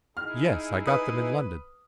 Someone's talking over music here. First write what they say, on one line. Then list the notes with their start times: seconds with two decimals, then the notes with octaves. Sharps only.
"Yes, I got them in London."
0.17 D#4 E4 G#4 F6
0.87 B4 D#6